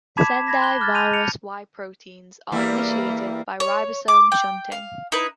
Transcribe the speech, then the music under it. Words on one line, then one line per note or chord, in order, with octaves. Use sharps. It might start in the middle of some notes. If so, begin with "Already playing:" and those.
Sendai virus Y proteins are initiated by ribosome shunting.
A5 B5 D6 G#6 B6 E7
B5 G#6 A#6 B6
B5 F#6 G7
D6 F6 F#6 G#6 A6
A5 G6 D#7 F7
C#7 D7 F7
E2 G3 A#3 E4
C#5
D6
G5
F5
D#4 E4 B4